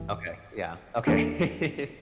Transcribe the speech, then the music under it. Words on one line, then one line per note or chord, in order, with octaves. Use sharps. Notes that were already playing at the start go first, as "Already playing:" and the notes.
Okay, yeah, okay.
Already playing: A1 G2 E3
E2 E3 A#3 D4 A4